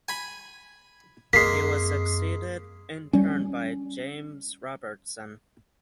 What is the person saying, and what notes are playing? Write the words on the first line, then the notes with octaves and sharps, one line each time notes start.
He was succeeded in turn by James Robertson.
G#5 B5
F#2 G#3 A#3 C4 B6 C7
G3 C#4